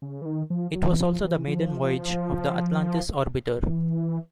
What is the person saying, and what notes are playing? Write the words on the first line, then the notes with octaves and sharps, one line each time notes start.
It was also the maiden voyage of the "Atlantis" orbiter.
C#3
E3
D#3
F3
F#3
E3
F3
E3
F3
E3